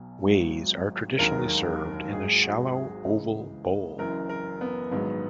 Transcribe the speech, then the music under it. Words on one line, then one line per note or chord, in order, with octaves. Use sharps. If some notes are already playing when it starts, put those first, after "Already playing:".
"Ways" are traditionally served in a shallow oval bowl.
Already playing: B1 B2 F#3
G#1 G#2 F#3
E1 D#2 D#3 F#3 A#4
G#1 G#2 F#3 G#4
F#4
G#4
C#2 C#3 E3
F#1 F#2 E3 A#4
A#4
B3
A#1 G#2 D#3 F#3 B3